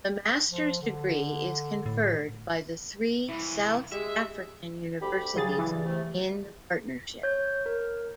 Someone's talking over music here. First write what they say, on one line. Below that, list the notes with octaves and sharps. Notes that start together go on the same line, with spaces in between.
The master's degree is conferred by the three South African universities in the partnership.
F3
D3
A2
C2 E3 E4
G#3 G4 E5
D2 G4 B5
G2 C#3 F#3 G#4 A6
E3
C3 A3
C#5 G6
A#4